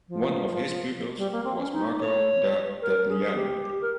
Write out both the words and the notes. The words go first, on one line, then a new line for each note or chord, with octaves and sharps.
One of his pupils was Marco da Gagliano.
F3
G3
A#3
C4
C#4
D#4
C#5
A#4
G#4
G4
A#4